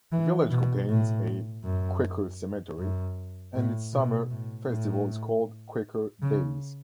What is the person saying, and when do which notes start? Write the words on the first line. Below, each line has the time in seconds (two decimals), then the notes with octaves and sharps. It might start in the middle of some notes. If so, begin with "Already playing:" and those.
The village contains a "Quaker Cemetery" and its summer festival is called "Quaker Days".
0.12 E3
0.51 B2
0.89 A2
1.64 F#2
2.79 F#2
3.54 A2
3.94 B2
4.31 A2
4.69 A2
6.22 C#3